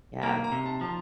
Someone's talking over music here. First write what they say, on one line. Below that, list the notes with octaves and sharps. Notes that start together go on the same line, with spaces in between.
Yeah, m
A#3 A#5
A#5
C3
A5
F3 A5